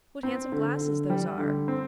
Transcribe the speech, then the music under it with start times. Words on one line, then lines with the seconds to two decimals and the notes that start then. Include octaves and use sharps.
What handsome glasses those are!
0.23 C4
0.52 D3
0.81 D3
1.10 G3
1.39 D3
1.68 C4